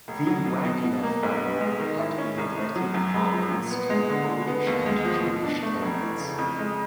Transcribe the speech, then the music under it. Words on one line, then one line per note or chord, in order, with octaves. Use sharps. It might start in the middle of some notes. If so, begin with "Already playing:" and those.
The Wagner family had been letting apartments to Polish and Jewish tenants.
F1
F#3
B2
B2
B2
A#3
B1
B3
G#3
D#3
E4
C#4
C2
A3
F#3
F#2
G#3
F3
A#2
B3
G#3
D3
D3
B3
D#2
G#3
F3
B2
D4
A3
F1
E3
C#3
F2
G#3